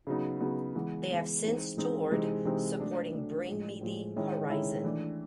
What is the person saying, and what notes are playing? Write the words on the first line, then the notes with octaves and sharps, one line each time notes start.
They have since toured supporting Bring Me the Horizon.
C#3 F#3 B3 D#4
C#3 F#3 B3 D#4
E3 G#3 B3
E3 G#3 B3
E3 G#3 C4 D#4
E3 G#3 C4 D#4
C3 E3 G#3 C4 D#4
C3 E3 G#3 C4 D#4
F#3 A3 D4
F#3 A3 D4
A2 F3 G#3
A2 F3 G#3
D#3 G#3 C#4 E4
D#3 G#3 C#4 E4
E3 A3 D4